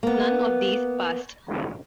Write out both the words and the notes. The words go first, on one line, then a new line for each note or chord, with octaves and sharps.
None of these passed.
A#3 B3